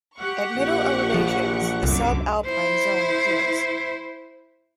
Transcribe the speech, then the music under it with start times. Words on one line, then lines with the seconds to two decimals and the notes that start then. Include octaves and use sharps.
At middle elevations, the subalpine zone appears.
0.17 G4 F#5 C#6
0.55 A#1
1.14 F3
1.83 C2 F#2 D3 D6
2.46 E4 C5